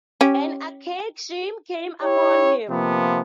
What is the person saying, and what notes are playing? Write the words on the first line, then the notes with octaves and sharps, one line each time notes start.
An archaic shame came upon him.
C#4 G4
E4 G4 C#5
C3 F3 A#3 B3